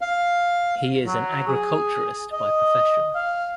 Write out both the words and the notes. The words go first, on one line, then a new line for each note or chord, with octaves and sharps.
He is an Agriculturist by profession.
F5
F#3
G#4
D#5
F5